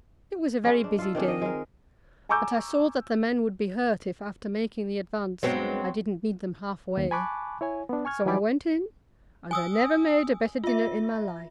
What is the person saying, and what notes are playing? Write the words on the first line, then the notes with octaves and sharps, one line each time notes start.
It was a very busy day, but I saw that the men would be hurt if, after making the advance, I didn't meet them half-way, so I went in, and I never made a better dinner in my life.
G#3 C#4
D4
F4 A4
D#3 C4 D4 G#4
D#5
G#3 A#4
G#5 A#5 C#6 D6 E6 G6
G2 F#3 G#3 B3 C4
D#2
G#5 A5 B5 C#6 D6 F#6
E4 C#5 G#5
B3 D4
G#5 C#6 F6 G#6
E3 F#3 D#4 G#5 B5 D6
G#5 D#6 E6
F4 E5